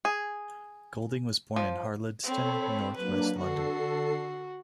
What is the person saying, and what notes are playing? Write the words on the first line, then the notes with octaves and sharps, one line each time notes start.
Golding was born in Harlesden, North West London.
G#4
F3
C4 A4 C#5 B5
F#3 A#3 D4 B4
D3 F#4 A4 C7